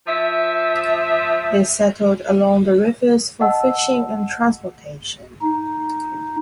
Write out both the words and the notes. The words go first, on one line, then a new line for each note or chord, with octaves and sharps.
They settled along the rivers for fishing and transportation.
F3 E5
D#5 F#5 A5 E6
D#4